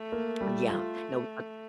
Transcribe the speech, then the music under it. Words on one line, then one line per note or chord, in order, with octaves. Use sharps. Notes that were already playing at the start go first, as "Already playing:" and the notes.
Yeah. No, uh
Already playing: A3
A#3
G3
F4